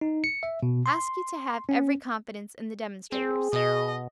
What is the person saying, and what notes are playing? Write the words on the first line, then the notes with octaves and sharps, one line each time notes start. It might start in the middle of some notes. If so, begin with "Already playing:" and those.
I ask you to have every confidence in the demonstrators.
D#4
C#7
E5
B2
C6
C#4
C4 G#4
B2 D#5